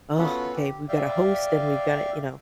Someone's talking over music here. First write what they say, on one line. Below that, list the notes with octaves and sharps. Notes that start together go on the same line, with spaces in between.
"Oh, okay, we've gotta host, and we've gotta" you know?
B3 C#4 F4 F#4 A4 B4
G4
D5 E5 F5 G5